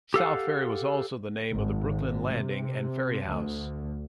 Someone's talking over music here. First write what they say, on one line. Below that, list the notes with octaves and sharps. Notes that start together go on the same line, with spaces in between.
"South Ferry" was also the name of the Brooklyn landing and ferry house.
G4 A4 F5 F#5
G#1
C3
D2